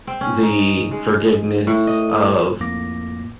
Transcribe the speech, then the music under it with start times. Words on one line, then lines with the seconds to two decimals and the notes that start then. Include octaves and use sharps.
the forgiveness of
0.07 C4
0.21 C#4
0.43 D#4
0.91 G#3
1.67 A2
1.87 D#5
2.60 F2 A2 A#3 D6 A#6